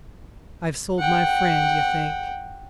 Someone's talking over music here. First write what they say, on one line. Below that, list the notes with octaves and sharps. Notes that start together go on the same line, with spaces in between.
I've sold my friend, you think.
F#5 G5